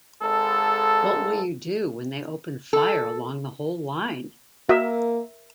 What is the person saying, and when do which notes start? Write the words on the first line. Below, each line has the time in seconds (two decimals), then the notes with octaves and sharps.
What will you do when they open fire along the whole line?
0.23 G#1 G#3 A4
2.73 A4
4.69 A#3 F#4 A#4 D#5 E5